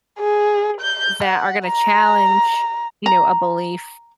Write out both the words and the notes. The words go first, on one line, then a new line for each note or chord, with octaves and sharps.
eh that are gonna challenge, you know, a belief
G#4
G6
F#5
A#5
A#5